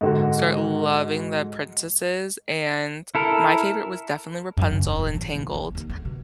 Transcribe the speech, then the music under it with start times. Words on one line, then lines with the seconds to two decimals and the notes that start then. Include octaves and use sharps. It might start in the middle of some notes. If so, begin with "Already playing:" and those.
start loving the princesses, and my favorite was definitely Rapunzel in Tangled,
0.01 G#2 D3 F#4
3.15 E4 A4 A#4
4.57 F#2
4.71 C#3
4.85 E1
4.99 A1
5.15 E2
5.36 B1
5.54 B3
5.75 D#2
5.89 A3
6.05 B2